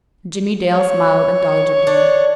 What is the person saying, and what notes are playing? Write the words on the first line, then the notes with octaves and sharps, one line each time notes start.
Jimmie Dale smiled indulgently.
C#5
D4